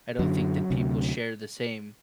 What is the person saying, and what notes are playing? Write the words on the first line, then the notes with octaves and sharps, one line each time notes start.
I don't think that people share the same
F#2 D3 F#3
D2 C3